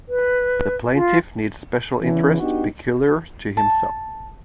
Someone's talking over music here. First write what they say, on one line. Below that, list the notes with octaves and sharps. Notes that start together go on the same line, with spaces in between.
The plaintiff needs special interest peculiar to himself.
B4
F4
E2 C#3 E3
B3 D4 D#4 F#4 G4
A5